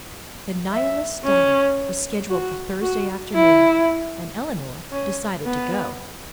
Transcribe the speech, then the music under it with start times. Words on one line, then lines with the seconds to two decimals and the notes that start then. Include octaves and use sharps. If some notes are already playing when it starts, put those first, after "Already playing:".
"The Nihilist's Daughter" was scheduled for Thursday afternoon, and Eleanor decided to go.
0.71 E5
1.24 C#4
2.29 F#4
2.82 F#4
3.34 E4
4.92 C#4
5.44 B3